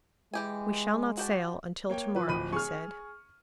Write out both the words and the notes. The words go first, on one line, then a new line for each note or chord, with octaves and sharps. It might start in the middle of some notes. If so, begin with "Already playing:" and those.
"We shall not sail until to-morrow," he said.
E3 G#3 G4 G#5
F#4 G4 A5
A#3 C#5 G5
F3 B4
D1 B5 D#7
G#4 C#6 F6